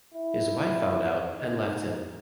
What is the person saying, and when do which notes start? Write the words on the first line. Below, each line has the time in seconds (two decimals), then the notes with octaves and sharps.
His wife found out and left him.
0.15 E4
1.32 D#4